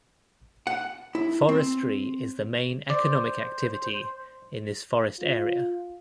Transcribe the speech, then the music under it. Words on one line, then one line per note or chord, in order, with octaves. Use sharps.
Forestry is the main economic activity in this forest area.
F#5
E4
C4
C5 D5
F4